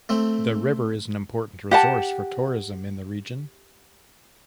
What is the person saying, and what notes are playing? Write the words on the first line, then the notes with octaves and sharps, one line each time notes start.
The river is an important resource for tourism in the region.
A3 C4
G4 F#5 A5